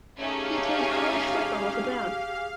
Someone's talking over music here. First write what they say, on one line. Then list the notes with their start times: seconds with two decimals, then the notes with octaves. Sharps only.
He played college football for Brown.
0.19 A3 C#4 D#4 G4 G#4 F5